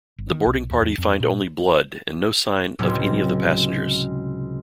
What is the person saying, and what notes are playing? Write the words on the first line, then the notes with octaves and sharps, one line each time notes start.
The boarding party find only blood and no sign of any of the passengers.
G1
D#3
B1
D#2
E2
F2
A#2
C#2 A2 C3 F#3 C4